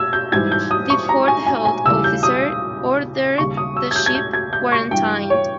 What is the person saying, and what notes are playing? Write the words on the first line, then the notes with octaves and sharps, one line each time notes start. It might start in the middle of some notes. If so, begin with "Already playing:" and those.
The port health officer ordered the ship quarantined.
Already playing: E6 G#6
G6
G#2 E3 G3 G#6
G6
D#6
C#6
A#5
G#5
G#5
G#5
D#2 C#3 E3 G3 E6
G6
D#6
D#2 C#3 G3 C#6
D#6
E6
G#6
G6
G#6
G6
G#6
G6
C#6
G2 E3 G3 G5
C#5